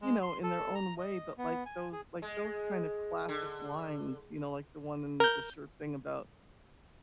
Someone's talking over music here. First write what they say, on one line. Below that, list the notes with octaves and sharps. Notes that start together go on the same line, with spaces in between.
you know, in their own way, but, like, those like, those, kind of, classic lines, you know, like the one in The Sure Thing, about,
G#3
C6
A4
A#5
D#5
B3
G#5
G#4
G#3
D3
A#4 G6